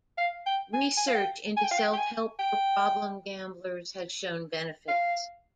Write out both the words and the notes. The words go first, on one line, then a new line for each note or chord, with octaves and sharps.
Research into self-help for problem gamblers has shown benefits.
F5
G5
G#5
G#5
F5
G5
G#5
G5
F5
G5
G5
G#5
G5
F5